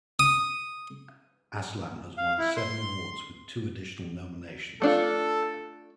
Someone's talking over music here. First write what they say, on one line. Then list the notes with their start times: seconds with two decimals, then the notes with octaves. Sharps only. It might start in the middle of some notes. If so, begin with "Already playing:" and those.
Aslam has won seven awards with two additional nominations.
0.19 D#6
2.18 F5
2.38 E4
2.57 C6
4.82 A3 D4 F4 A4